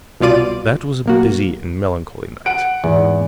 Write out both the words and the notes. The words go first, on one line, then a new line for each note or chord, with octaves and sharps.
That was a busy and melancholy night.
C2 B2 F4 D5 D#7
B1 A#3 F#4
F#5 D7
E2 G#2 E3